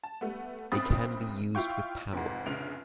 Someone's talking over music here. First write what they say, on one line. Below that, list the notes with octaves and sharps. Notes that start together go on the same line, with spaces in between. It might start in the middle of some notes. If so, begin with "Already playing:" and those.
They can be used with power.
A5
G3 A3 B3
B1 F#2 C4 B5 D#6 A6
E4 F4 F5 G5 C#6
F1 F2 G#2
F1 A#1 C#3 D7 F7